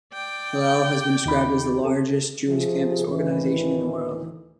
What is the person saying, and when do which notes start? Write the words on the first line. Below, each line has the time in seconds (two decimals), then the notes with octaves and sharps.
Hillel has been described as the largest Jewish campus organization in the world.
0.13 D5 G5
1.26 D#2 D#4 B5
1.81 C4 A4
2.47 C3 F3 G#4
3.06 D2 A2 D#3 E3